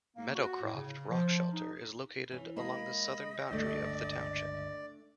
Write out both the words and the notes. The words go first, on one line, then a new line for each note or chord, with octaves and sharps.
Meadowcroft Rockshelter is located along the southern boundary of the township.
A#3
F#4
A2
C#3
F3
D#4
E3 C#4
G#3 A#3 D#5 B5
G1 C#2 G2 A3 D4 D5 G5